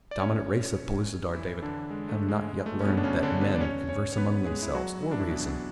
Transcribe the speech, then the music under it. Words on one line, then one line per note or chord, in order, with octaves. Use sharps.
The dominant race of Pellucidar, David, have not yet learned that men converse among themselves, or reason.
D5
C#4 C#5
E3 E4
D3 D4
G#3
A3
G#3
G#3
A3
C#4
B2 B3
D4
C#3 C#4
D3 D4
B3 B4
D5
C#4 C#5
C#4 C#5
C#5
B3 B4
G#3 G#4
E4
F#3 F#4
E4
D4
E3 E4
B2 B3